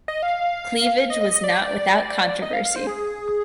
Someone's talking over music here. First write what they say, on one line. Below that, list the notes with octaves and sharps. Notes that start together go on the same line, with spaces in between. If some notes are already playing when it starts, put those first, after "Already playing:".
Cleavage was not without controversy.
D#5
F5
D#5
D#5
D#5
D5
D#5
F5
F5
C5
G#4